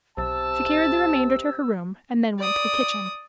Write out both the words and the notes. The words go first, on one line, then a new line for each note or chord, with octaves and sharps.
She carried the remainder to her room and then went to the kitchen.
B1 C3 A5 E6
D5 D#6